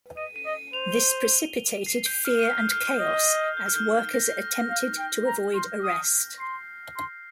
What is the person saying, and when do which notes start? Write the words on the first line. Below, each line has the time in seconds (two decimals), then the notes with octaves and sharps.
This precipitated fear and chaos as workers attempted to avoid arrest.
0.17 D#5 D#7
0.36 D#7
0.46 D#5
0.55 D#7
0.73 C5 F7
0.92 G7
1.11 F7
1.86 C7
2.06 G6
2.25 F6
2.44 F6
2.58 G6
2.71 F6
3.00 D#5
3.57 G6
3.66 F6
3.76 G6
3.95 G6
4.14 A#6
4.70 F5
4.98 G5
5.27 A#5
5.55 C6
5.83 D#6
6.40 C6 C7
6.97 C6